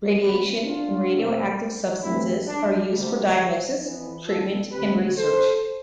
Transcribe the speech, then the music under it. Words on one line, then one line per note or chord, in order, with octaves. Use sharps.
Radiation and radioactive substances are used for diagnosis, treatment, and research.
D2 C3 G3 C4 G4 B4
D4 F4
E2 B2 A3 C4
G2 E3 A3 C4 E4
D4
D2 C3 G3
F2 E3 B3
F4 A4
D2 D3 A3 C4 G4 B4
A4 C5